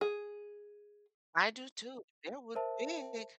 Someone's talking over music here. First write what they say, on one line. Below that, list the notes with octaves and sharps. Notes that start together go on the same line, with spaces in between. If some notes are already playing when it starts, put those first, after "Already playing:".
I do, too. The bear was big,
G#4
A#4 C5 E5 A5